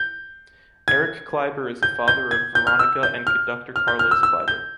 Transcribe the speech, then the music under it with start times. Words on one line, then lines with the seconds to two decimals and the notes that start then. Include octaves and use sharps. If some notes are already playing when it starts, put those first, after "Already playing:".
Erich Kleiber is the father of Veronika and conductor Carlos Kleiber.
Already playing: G6
0.88 G#6
1.83 G6
2.08 G6
2.31 G#6
2.55 G6
2.67 F6
2.79 E6
3.03 G6
3.27 F6
3.76 F6
3.88 G6
3.99 F6
4.11 E6
4.23 E6
4.48 G6